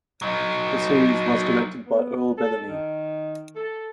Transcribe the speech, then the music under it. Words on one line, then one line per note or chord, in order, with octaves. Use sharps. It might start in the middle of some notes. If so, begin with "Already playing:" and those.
The series was directed by Earl Bellamy.
F#3 D#4
B3
A4
D#3
A4